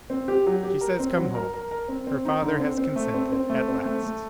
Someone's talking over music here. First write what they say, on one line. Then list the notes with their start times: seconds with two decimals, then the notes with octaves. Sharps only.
"She says come home--her father has consented, at last."
0.10 C4
0.28 G4
0.47 F#3
0.63 G4
0.81 A#4
0.99 C4
1.17 F#3
1.35 A#4
1.54 A#4
1.71 A#4
1.88 C4
2.07 C4
2.25 D#4
2.42 D3
2.60 C4
2.78 C4
2.96 A3
3.14 C4
3.32 C4
3.50 A3
3.68 C4
3.85 A3
4.03 A3